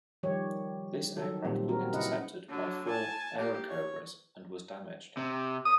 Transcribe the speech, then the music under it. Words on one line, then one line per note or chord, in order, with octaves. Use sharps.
This aircraft was intercepted by four Airacobras and was damaged.
D#3 F3 G3 G4 C#5
D#3 F#3 A4
A#2 D#3 G3 A#3 C4
A#3 C4 F#4 A#4
C#3 E4 B4 D#5 F#5
D3 F#3
G#5 A5
A#3 G4
C#5
C3
D#6